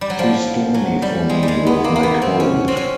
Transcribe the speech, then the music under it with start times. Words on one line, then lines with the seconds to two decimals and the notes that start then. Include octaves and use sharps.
Too stormy for me with my cold.
0.01 G3
0.10 F#3
0.19 F3
0.74 F#3
1.02 G3
1.29 G#3
1.43 G3
1.48 G#3
1.67 B3
1.84 A#3
1.96 A#3
2.03 B3
2.22 C4
2.40 C#4
2.68 C4
2.77 C#4